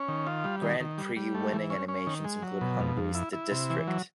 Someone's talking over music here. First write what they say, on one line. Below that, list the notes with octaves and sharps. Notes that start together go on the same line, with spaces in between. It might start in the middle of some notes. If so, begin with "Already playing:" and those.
Grand prix winning animations include Hungary's The District!
Already playing: C#4
D#3
F4
G3
D#3
D#3
G3
G3
A3
E3
C#4
C#4
D#3
G#3
F#3
B2
F2
F2
E4
E4
C3
E3
F#3